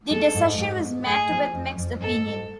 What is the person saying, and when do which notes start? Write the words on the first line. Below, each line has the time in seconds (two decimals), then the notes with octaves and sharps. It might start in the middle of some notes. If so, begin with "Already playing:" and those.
The decision was met with mixed opinion.
0.11 G#3 A4
0.35 G#2
0.58 G#2
0.82 G#2
1.05 A3 G#4
1.29 F3
1.53 F2
1.77 F2
2.01 G#2 A4
2.24 G#2